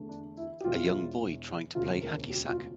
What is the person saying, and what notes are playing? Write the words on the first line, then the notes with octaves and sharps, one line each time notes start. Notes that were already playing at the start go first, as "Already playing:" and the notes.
A young boy trying to play hacky sack.
Already playing: E2 D3 A3
D4
E4
G4
E1 E2 E3 F4
E1 D2 C#3 F4
A#4
G4
F4